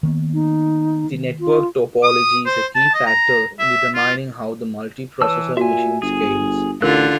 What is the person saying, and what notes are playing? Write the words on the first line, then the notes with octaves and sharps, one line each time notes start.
The network topology is a key factor in determining how the multiprocessor machine scales.
D#3 A#3 B3
D#4
F4
D#6
C5
A5
D#5
A#5
E5
F4
E3 B4 C#5 A5 E6
A#2 F#4 E5 G#5
G1 G#4
A1 D3 F4 A#4 F#6